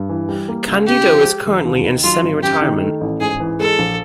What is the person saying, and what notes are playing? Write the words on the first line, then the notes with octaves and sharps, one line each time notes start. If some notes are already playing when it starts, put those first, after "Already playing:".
Candido is currently in semi-retirement.
Already playing: G2
E3
G3
A#3
C#2
C#3 G4
F3
G#3
E1
D#2
D#3
F#3 F4
G#1
F#2 G4
D#3
A3
A1
G#2 G#4
E3
G#3 A4
A#1